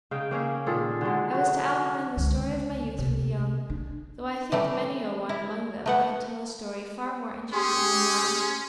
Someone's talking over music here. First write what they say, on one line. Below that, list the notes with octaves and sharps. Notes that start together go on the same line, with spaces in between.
I was to outline the story of my youth for the young, though I think many a one among them might tell a story far more interesting than mine.
C#3 D#4 F5 G5
A#3 C#4 G#4 E5
A#2 D#3 G#4 A4
D3 F#3 G#3
F#3 F#4
F#4
C#2 D3
C3
D4
E3 G3 A3
E4
A3 B3 F#5
C#4 G4 G#4 C6